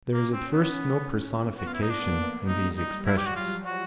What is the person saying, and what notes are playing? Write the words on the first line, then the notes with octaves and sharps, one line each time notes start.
There is at first no personification in these expressions.
A#3 C#4
C4
B3
C#4
B3
F#4
F4
E4
D#4
A#3 D4
A3
G3 D#4
D#4
F#3 E4
G4
F#4
F3 F4
F#4